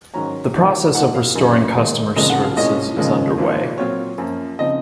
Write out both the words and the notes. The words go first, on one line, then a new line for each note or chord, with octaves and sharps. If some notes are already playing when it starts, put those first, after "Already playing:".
The process of restoring customer services is underway.
G#2 D#3 F#3 C#4 A#5
D#2 D#3 F#3
G#2 F3 A#3 F#5
F5
F#2 D#3 F#3
D#2 D#3 G#3 D#4
F1 D#2 C#3 F3 G#3 D#5
F#5
F5
C2 A#2 G#3 C#4 D#5
D#2 C#3 F3 G#3 D#4
G#1 G#2 F3 A#3
A#2 F#3 C4 F4 C#5
F#2 F3 A#3 F4
C#3 F3 C4 D#4 D#5